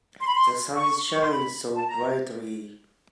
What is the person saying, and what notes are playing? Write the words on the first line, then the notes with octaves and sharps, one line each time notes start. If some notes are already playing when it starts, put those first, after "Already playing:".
The sun shines so brightly.
C6
B5
C6
C#6
C#6
C6
B5
A5
A#5